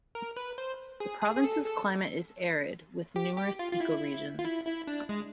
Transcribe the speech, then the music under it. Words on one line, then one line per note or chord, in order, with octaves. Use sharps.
The Province's climate is arid, with numerous ecoregions.
A#4
B4
C5
G#4
G#4
G#4
A4
A4
G4
G4
F4
F4
E4
F4
E4
E4
D4
G#3